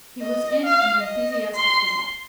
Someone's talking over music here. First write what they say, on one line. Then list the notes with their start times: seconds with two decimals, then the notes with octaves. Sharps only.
He was in an enthusiastic mood.
0.21 D#5
0.64 F5
0.98 D#5
1.55 C6